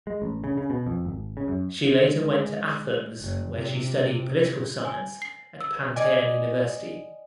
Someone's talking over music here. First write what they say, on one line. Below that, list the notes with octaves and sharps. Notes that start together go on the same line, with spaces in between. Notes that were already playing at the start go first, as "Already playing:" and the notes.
She later went to Athens where he studied political science at Panteion University.
G#3
A1
C#3
C#3
B2
F2
G#1
C#3
F#2
G#3
F#1
C3
G#5
C7
E6
D5 D#5 G#5